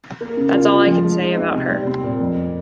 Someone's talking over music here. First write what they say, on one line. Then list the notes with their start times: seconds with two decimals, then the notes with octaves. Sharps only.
That's all I can say about her.
0.21 A#3
0.37 C#3
0.54 F4
0.70 F4
0.87 F3
1.03 G#3
1.20 D#4
1.37 C4
1.53 C3
1.70 G3
1.87 C4
2.03 A#2
2.20 F2